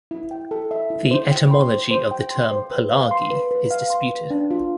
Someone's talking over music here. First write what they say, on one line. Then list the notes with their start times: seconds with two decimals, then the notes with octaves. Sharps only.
The etymology of the term "Palagi" is disputed.
0.11 E4
0.31 G5
0.51 A4
0.71 E5
0.90 E4
1.11 C5
1.31 G5
1.51 C6
1.71 C5
1.91 C5
2.11 G5
2.31 C6
2.51 C5
2.71 B4
2.91 F5
3.11 C6
3.31 B4
3.51 B4
3.71 F5
3.90 C6
4.11 B4
4.30 D4
4.51 F4